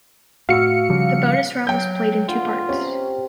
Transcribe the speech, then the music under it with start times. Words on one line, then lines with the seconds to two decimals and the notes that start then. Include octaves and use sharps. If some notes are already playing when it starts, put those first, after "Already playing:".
The bonus round was played in two parts.
0.49 A2 F#4 F5 E6 C#7
0.90 C#3 F3 G3
1.67 F#3 G5 G6
2.28 D3 F4 B4
2.69 C3 C#4